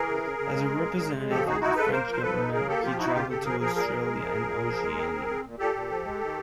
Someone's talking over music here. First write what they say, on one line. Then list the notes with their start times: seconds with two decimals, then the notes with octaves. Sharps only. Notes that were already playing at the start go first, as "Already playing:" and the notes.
As a representative of the French government, he travelled to Australia and Oceania.
Already playing: E3 G#4 A#4
0.08 C#3
0.23 C#3
0.39 C#3
0.54 G#3
0.69 C#3
0.85 C#3
0.99 G#3
1.15 C#3
1.30 F3 G4 A4
1.46 D#4 F#4 G#4
1.60 D#4 E4 F#4
1.76 C#3 A4 B4
1.91 A#3 A#4 C5
2.07 F3
2.12 C5
2.22 F3 A4 B4
2.37 D#4
2.53 C#3 G#4 A#4
2.68 A#3 G4 A4
2.83 F3 F4 G4
2.98 D#4 E4 F#4
3.14 C#3 F4 G4
3.29 C#3 G4 A4
3.44 F3 G#4 A#4
3.60 F3 G#4 A#4
3.75 A#2 G#4 A#4
3.91 F3
4.06 G#3
4.21 F3
4.37 F3
4.51 A#2
4.68 F3
4.83 G#3
4.98 C4
5.14 C4
5.29 C4
5.44 A#2
5.59 A#2 G4 A4
5.75 A#2
5.90 F3
6.05 G#3
6.21 D#3